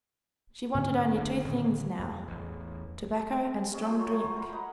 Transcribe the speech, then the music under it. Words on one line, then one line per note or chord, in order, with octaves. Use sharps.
She wanted only two things now--tobacco and strong drink.
G#2 D3
F#1 D3 A#3 D4
A2 D3 D#3 G#3
F2
A1 E2
G#4 C#5 E5 F5
F4 C5 D#5 C6
F#3 A3 F4
C5 G#5 A5
E4 A#4
D#5 F#5 A#5 B5